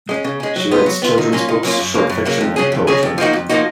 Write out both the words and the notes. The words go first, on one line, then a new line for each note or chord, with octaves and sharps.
She writes children's books, short fiction, and poetry.
G#3 C#4
C#3
G#3 C#4
F#3
B3 F4
F#3
B3 F4
D#3
F#3 A#3 C#4 F4
D#3
F#3 A#3 C#4 F4
F#2
C#3 F#3 A#3
F#2
C#3 F#3 A#3
F2
C#3 F#3 C#4 G#4
F2
C#3 F#3 C#4 G#4
F2
F3 A#3 D#4 F#4
F2
F3 A#3 D#4 F#4